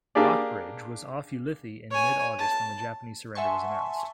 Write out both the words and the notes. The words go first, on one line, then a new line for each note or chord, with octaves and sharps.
"Rockbridge" was off Ulithi in mid-August when the Japanese surrender was announced.
A#3 D4 G4 G#4 D5
C#5 G#5
A5
E5 F#5 G#5 A5 C6 C#6